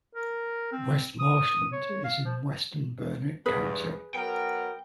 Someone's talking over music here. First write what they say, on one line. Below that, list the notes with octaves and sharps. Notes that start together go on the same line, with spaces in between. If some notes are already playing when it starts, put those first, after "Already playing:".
West Marshland is in western Burnett County.
A#4
C4
D#6
C#5
F5
F3
E2 G2 G#4 B4
F#3 B3 A#4 G5